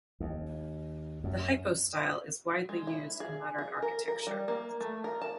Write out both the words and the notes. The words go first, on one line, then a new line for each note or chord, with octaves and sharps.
The hypostyle is widely used in modern architecture.
D#2
F#2
G#3
E4
G#4
G#4
A#4
A#4
G3
A#3
A3
A#4
A5